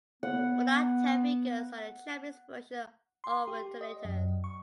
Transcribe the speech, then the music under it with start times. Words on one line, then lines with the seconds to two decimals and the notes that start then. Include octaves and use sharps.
Binaltech figures are the Japanese version of Alternators.
0.23 B3 F#5
3.24 C6
3.48 G4
3.81 D#5
4.04 F#2
4.44 C#6